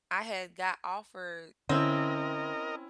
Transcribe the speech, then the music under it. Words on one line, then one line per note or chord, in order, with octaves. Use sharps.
I had got offered
D3 C4 C#4 E4 A#4 D#5